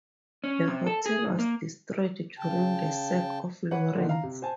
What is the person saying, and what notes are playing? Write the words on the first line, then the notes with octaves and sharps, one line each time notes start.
The hotel was destroyed during the sack of Lawrence.
C#4
C3
A4
G#4
G#2
A#3
C#3 G5 A5
B4 C#5 F#5
A#2 D3 D#3 B3
F5 A#5
C3
C5 G#5 A5